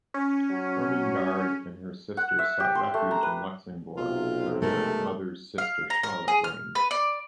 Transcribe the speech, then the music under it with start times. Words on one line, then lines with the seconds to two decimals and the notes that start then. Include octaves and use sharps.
Irmingard and her sisters sought refuge in Luxembourg, where their mother's sister Charlotte reigned.
0.14 C#4
0.51 F#3
2.17 F#5
2.39 E5
2.60 G4
2.75 C6
2.94 A3
3.11 A#5
3.23 B4
3.97 B1 C3 F4
4.62 G#3 A3 A#4
5.58 F5
5.90 A#5
6.03 A#4
6.28 G#4
6.44 F6
6.75 B4
6.91 D5